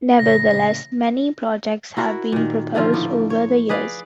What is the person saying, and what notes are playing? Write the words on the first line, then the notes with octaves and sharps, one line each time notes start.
Nevertheless, many projects have been proposed over the years.
A1 C#3 A#6
E4 F#4 A#4
A#2 D#3
D3 D#3 F3 F4
A2 A#3
C#5
G#4 B4 D5 F5